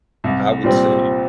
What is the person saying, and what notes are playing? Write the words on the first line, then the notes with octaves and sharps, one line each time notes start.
I would say,
C2
A#2 G3 C4